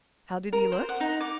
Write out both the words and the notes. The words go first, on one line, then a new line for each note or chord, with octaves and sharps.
How did he look?
A#4
C5
F#5
D#4
D6